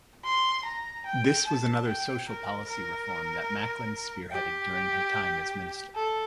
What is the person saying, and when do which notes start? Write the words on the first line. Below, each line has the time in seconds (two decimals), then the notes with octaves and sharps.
This was another social policy reform that Macklin spearheaded during her time as Minister.
0.24 C6
0.65 A#5
1.06 G5
1.47 A5
1.88 G5
2.28 A#4
2.69 A#4
4.32 G4
5.95 A4